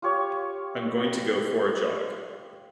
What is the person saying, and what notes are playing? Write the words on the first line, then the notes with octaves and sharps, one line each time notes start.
I'm going to go for a jog.
F4 G4 C#5